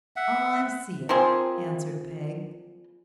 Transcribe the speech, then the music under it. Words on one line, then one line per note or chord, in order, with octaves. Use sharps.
'I see it,' answered Peg.
E5 F#5
F3 A#3 C4 G#4